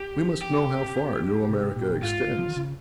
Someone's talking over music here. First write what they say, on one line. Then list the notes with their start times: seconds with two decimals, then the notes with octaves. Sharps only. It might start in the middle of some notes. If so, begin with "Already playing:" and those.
"We must know how far New America extends."
Already playing: G4
0.41 G4
1.49 C3
1.76 A#2
2.02 G#2 F4
2.38 F3
2.48 D#3
2.56 C#3